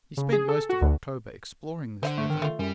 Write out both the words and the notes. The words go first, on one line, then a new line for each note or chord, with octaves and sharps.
He spent most of October exploring this river.
C#3
G#4
A4
F#4
D2
D3 C5 F5 F#5
A3
D#3
A3 F4
F#2 G3